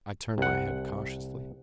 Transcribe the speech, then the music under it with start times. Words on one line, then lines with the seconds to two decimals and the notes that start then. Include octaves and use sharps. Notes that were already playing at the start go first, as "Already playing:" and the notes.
I turned my head cautiously.
0.38 C2 F#5